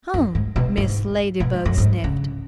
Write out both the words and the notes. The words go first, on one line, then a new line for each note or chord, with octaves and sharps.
"Huh!" Mrs. Ladybug sniffed.
F#2
G#2
B2
G#2
B2
G#2
F#2
G#2
C#3